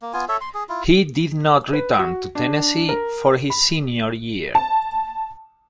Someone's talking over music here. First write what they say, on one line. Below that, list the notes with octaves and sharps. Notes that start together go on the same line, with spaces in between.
He did not return to Tennessee for his senior year.
A#3
B3 F4 G#5
A4 C#5 E5
C6
G#4
E4 F4
B4
F#4
D4
A#4
B5
A5